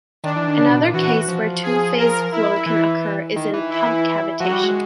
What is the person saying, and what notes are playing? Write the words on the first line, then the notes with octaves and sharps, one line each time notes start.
Another case where two-phase flow can occur is in pump cavitation.
D#3 D4
E3
D#3
C#3
B2
A#2
E3 F#4
F3
G#4
A#4
E4
E3
D#3
E3
E4
F3 F#4
F#3
G3
G#3